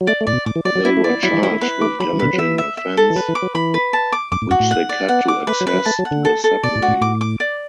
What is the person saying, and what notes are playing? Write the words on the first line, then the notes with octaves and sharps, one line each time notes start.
They were charged with damaging a fence which they cut to access the submarine.
F#3
A3 D5
A3
A2 D5
B2
A2 D6
E3
F#3 D5
F#3
B3 E4
A3
D5
B3
F#3 E4
E3
F#3 E4
A3
B3 B4
A3 D6
F#3 B5
E3
B2 B4
D3
F#3
E3 E5
E5
E5
A4
E3
F#3 B4
E3
D6
F#3
E3 B5
B4
A5
D6
F#2 D6
A2
F#2 F#4
A2
F#5
D5
B3 F#5
D6
A3 B4
F#3
B4
F#3
A3 A5
F#3
F#5
D3
A4
A4
B2 D5
A2
F#4
A2
A2 D6
D6
D5